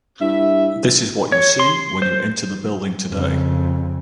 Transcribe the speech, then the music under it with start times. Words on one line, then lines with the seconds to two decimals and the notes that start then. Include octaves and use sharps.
This is what you see when you enter the building today.
0.21 G2 E4 E5
1.32 C#5
1.59 C6
2.02 C5
3.11 F2 C#3